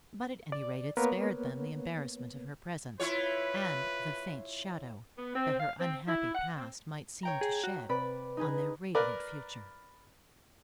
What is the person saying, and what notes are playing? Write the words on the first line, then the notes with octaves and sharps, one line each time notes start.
But at any rate it spared them the embarrassment of her presence, and the faint shadow that her unhappy past might seem to shed on their radiant future.
D5
A#3 B3 A#4 B4 C#5
E4 F4 B4 C#5
B3
C4
F5
C4
E4
F#5
C4
C#5 G5 A#5
G#4
F#4
C3 B4 D5 B5
D#4 G#4 B4
A#4 B4 D5